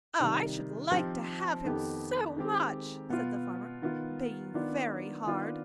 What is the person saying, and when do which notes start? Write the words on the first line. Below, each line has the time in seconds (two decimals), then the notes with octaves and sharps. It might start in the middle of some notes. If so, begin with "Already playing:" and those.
I should like to have him so much!' said the farmer, begging very hard.
0.20 C3 D#3 G3
0.92 F3 C4 D#4 G4
1.65 F2 D#3 B3 D#4 G4
2.36 D#3 G#3 C4 G4
3.09 B2 B3 F4
3.82 D#3 B3 F4
4.54 D#3 B3 D4 F4
5.26 D#3 B3 D4 F4